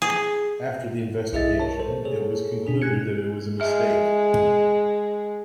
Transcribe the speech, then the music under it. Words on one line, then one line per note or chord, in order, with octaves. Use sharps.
After the investigation, it was concluded that it was a mistake.
G#4
B1 E4 G#4 D#5 E5 A6
A#4 C#5 A5
A4 C5
G#4 A4 C#5
B2 D4 G#4
C#4 G4 G#5 F#6 G#6 C#7
G#3 G#4 E5